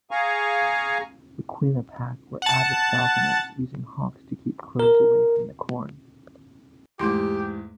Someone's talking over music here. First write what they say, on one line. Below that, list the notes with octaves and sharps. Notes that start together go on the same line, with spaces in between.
The Quinnipiac were avid falconers, using hawks to keep crows away from the corn.
G#4 F5 G#5 A#5 C#6
F#5 A5
A#4
E2 G#2 A3 G4 C6 D6